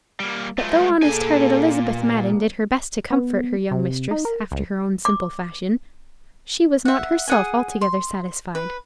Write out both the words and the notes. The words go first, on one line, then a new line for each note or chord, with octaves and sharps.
But though honest-hearted Elizabeth Madden did her best to comfort her young mistress after her own simple fashion, she was not herself altogether satisfied.
G3 A#3
F#3 G#3 A3 F4 B4
A#2 G#4 A4 G#5
G2 A#3
B3
C3
D#4
A#4
C#2
D6
E5 F#5
G#4 F#5 G#5
C6
B4